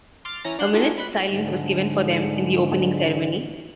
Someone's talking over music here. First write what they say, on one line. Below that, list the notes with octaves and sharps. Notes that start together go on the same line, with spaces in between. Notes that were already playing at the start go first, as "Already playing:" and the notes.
A minute's silence was given for them in the opening ceremony.
C6 D6 F6 A6
E3 C#4 A#5
D4 F#5 C6 F#6 C7
D4 D#4 F4 F#4 G#4 A4
B5 C6 F#6 B6
G#2 D3